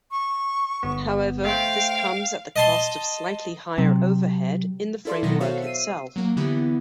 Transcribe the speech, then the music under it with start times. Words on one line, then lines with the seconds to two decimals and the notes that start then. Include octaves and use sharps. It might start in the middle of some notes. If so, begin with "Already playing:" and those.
However, this comes at the cost of slightly higher overhead in the framework itself.
0.11 C#6
0.83 G1 B3
1.45 A3 C5 F5 G5
2.56 D#5 A5 C6
3.78 C3 F#3
5.05 E4 F4 A4 D5 E5 C6
5.23 B2 D#3 F#3 B3 A4 A#6
5.40 F#4 A4 C5 C#5 E5 F5
5.62 E6 C7 D#7
6.16 F#3 A#3
6.37 D3 E3 B3 E4 G4